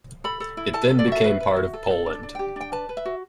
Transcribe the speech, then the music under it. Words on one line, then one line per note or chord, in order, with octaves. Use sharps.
It then became part of Poland.
A4 B5
A4
E4
A4 A5
A4
D5
F#4 E5
B4
B4
F#4
A4
A4
D4
D4
G5
G4
D4 G5
B4 A5
B4
E5
F#4